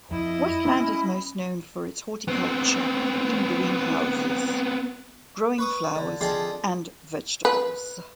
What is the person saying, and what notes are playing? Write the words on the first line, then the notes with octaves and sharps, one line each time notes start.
Westland is most known for its horticulture in greenhouses, growing flowers and vegetables.
F2 E4 D#5
B3 C#4 B5
B3 C4
B4 C#6 D#6
D3
F3 C4 D4 G#4 A4 D#5
B4